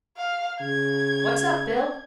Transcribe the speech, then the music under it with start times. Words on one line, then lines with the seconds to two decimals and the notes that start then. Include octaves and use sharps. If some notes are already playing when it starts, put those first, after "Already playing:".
"What's up, Bill?"
0.17 F5
0.60 C#3 G#6